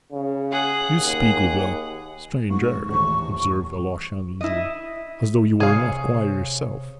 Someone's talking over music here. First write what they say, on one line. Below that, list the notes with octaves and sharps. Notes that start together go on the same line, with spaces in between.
"You speak with a strange air," observed Alyosha uneasily, "as though you were not quite yourself."
C#3
G#4 F#5
D#2
G#2 C#6
D#1 A2 E3 C#6
E4 D#5
C3 G#4 C#5 F5